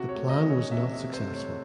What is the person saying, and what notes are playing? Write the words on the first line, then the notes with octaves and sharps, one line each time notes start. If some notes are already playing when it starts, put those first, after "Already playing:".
The plan was not successful.
Already playing: C3 F#4
C#5
A3
D#5
E3
C#5
C3 E5
D#5
C3
C5
A3
C#5